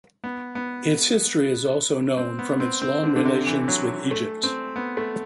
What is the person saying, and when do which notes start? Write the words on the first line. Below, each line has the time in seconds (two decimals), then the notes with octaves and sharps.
Its history is also known from its long relations with Egypt.
0.24 B3
0.55 B3
2.17 C4
2.39 B3
2.60 C4
2.82 C4
3.03 D3
3.16 D3
3.25 C3
3.47 E3
3.68 F#3
4.11 A3
4.43 C4
4.76 B3
4.97 A3